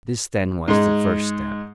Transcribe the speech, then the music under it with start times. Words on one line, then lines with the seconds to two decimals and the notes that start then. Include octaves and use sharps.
This then was the first step.
0.68 G#2 G#3